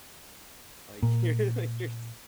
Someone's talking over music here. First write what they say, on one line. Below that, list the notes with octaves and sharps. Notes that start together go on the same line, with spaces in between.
Like, you're, like, you're s
A#2